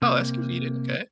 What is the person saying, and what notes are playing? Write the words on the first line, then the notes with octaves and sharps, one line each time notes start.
Oh, that's convenient, okay.
C3 A#3